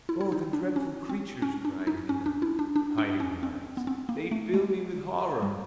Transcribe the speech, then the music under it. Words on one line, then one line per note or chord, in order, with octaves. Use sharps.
"Oh, the dreadful creatures!" cried Lina, hiding her eyes; "they fill me with horror!"
E4
E4
D#4
D4
C#4
C4
C#4
D4
D#4
C#4
D4
E4
D4
D4
D4
C#4
C4
B3
C4
A#3
A3
G#3
G3